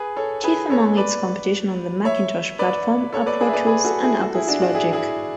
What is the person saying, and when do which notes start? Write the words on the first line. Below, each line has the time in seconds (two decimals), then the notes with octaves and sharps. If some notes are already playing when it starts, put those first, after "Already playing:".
Chief among its competition on the Macintosh platform are Pro Tools and Apple's Logic.
Already playing: G#4 B4
0.17 A4 C#5
0.44 G#4 B4
0.70 A4 C#5
0.97 B4 D5
2.05 C#5 E5
2.59 B4 D5
3.13 A4 C#5
3.26 B4 D5
3.40 G#4 B4
3.49 E5
3.53 B4 D5
3.67 G#4 B4
3.84 F#4 A4
4.03 E4 G#4
4.21 F#4 A4
4.34 E4 G#4
4.47 D4 F#4
4.62 D4 F#4
4.74 E4 G#4
4.93 E4 G#4